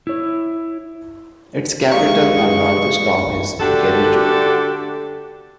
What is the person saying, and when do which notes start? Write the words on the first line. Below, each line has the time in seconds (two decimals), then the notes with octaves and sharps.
Its capital and largest town is Kericho.
0.07 E4 C#5
1.91 E3 G#3 G4 D5 F5 C#6
3.60 D3 A3 D4 F#4 G4 A4